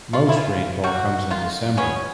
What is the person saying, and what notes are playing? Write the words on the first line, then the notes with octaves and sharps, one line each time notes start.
The most rainfall comes in December.
F4
E4
E3 F4
G3 A#3 F#4
D#3 F4
G#3 B3 C#4